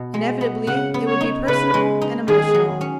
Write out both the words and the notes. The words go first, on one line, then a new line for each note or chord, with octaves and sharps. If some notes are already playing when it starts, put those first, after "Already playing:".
Inevitably, it would be personal and emotional.
Already playing: B2
G#3
B3
C#3 F#5
B3
C#5
D#4
C#3 B4
G#3
D#4
D#3 G#4
F#3
C#4